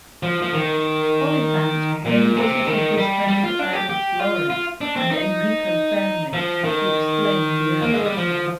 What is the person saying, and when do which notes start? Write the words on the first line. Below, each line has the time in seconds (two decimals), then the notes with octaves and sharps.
Oliphant then visited his friend Ernest Lawrence and Enrico Fermi to explain the urgency.
0.23 F3
0.42 F3
0.53 D#3
2.06 A#2
2.37 C3
2.67 D#3
2.98 G3
3.28 G3
3.43 F4
3.59 D4
3.73 G4
3.90 G4
4.20 F4
4.50 F4
4.81 D4
4.96 C4
5.11 D#4
6.33 F3
6.64 D#3
7.81 A#3
7.94 G#3
8.05 G3
8.17 F3